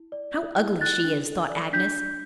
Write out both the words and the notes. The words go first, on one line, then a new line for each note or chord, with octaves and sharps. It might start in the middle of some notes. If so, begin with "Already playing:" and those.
"How ugly she is!" thought Agnes.
Already playing: E4
D5
E4
E4
A4 F#6 A6
D4
A4
D5
D4 G6 B6
D4